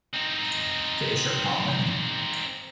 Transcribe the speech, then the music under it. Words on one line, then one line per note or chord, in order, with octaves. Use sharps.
Fish are common.
C4 D#4